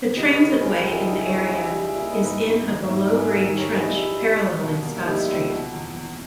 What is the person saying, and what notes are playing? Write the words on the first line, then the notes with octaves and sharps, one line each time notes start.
The transitway in the area is in a below-grade 'trench' parallelling Scott Street.
C#3 D#4 G4
B4 D#5
C#3
A#4 C#5
C#2 G#4 B4
G4 A#4
C#2
E4 G#4
G3 D#4 G4
E4 G#4
C#2 C#5
G#4 B4
C#2 E4 G#4
E4
G3
E4 G#4
A#3 E4 G#4
B4 D#5
G#2
B4 D#5
G#2
D#3
G#2 C#5 E5
G#2
E4 G#4
G#2 G4 A#4
D#3
A#4 C#5
G3 G#4 B4
D#4
E4
G3
E4
G3
G3
B2
A#3
E4
G3 D#4 G4
E4
C#2
B2
E2
E2